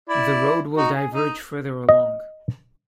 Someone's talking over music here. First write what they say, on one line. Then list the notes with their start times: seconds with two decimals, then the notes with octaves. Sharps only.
The road will diverge further along.
0.09 E4 D5
0.77 D#4 F#4
0.95 G#4
1.14 D#4 D#5
1.89 D#5